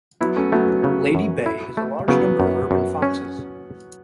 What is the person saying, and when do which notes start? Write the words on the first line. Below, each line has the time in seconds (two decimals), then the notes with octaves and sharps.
Lady Bay has a large number of urban foxes.
0.21 F#3 B3 E4
0.36 A3 C#4
0.52 F#3 A3 B3
0.69 F#3
0.83 C#3 F#3
1.15 F#2
1.46 E4
1.77 A3
2.08 C#3 F#3 B3
2.40 F#2
2.71 F#2
3.02 C#4